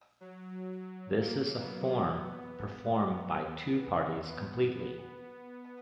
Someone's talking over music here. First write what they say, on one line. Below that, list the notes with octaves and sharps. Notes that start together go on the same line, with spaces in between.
This is a form performed by two parties competently.
F#3
F#3
F#3
A#3
B3
B3